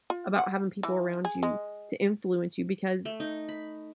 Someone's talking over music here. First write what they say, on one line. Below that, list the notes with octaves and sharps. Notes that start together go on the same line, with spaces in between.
about having people around you to influence you because
F4
F#5
E3
G#4
G#3
A3
D#4
B5